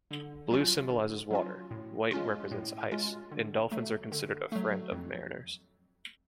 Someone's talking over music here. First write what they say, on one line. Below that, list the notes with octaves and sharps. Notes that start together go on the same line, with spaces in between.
Blue symbolizes water, white represents ice, and dolphins are considered a friend of mariners.
D3
F#3 C#4 F4
D3
F#3 C#4 F4
A2
G#3 C#4 F4
A2
G#3 C#4 F4
D3
F#3 A3
D3
F#3 A3
F2